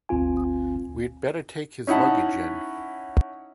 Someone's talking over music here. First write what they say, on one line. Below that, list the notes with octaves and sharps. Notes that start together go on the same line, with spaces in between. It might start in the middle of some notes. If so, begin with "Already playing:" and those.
We'd better take his luggage in.
G1 D2 C4 F4 G#5
C#4 D#4 E4 F#5 A5